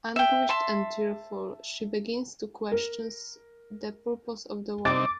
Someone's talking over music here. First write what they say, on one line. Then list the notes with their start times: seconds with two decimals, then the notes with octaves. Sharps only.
Anguished and tearful, she begins to question the purpose of the war.
0.16 E5 G5
0.49 E5 A5 C6
2.72 A#4
4.85 C3 C4 D#4 D6 A6